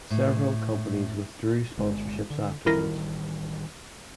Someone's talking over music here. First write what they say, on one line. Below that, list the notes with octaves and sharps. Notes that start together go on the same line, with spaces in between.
Several companies withdrew sponsorships afterwards.
A2
G1 G#3
D3
A1 D#3 G3 E4 A#4 A#6